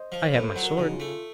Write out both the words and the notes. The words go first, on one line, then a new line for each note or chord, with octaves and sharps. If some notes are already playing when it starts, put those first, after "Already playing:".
"I have my sword."
Already playing: C5 D#5
F3
A2 A#4 C#5
A4 C5
F#3
F#4 A#4
C#3 D#4 F#4
F4
A3
F4